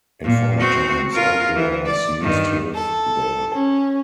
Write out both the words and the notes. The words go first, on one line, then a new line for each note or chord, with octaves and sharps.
In former times, outlaws used to live there.
A#2
C4 F#4
F4 A#4
E3
D5
G2 D#3
A4
C#4